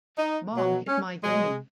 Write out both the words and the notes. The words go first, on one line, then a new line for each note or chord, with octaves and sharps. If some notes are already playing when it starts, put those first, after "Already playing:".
Mom Hid My Game!
D#4
B2 F#3
C#4
B2 F#3 G#3